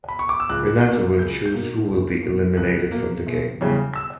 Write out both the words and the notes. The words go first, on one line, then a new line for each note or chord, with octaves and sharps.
Renato will choose who will be eliminated from the game.
B5
C#6
D6
E6
C#2 F#6
B2 A#3
C#2 G6
G6
B2 A#3
C#2
B2 A#3
C#2 F#6
B2 A#3
E1
E2 C#3 G3
E6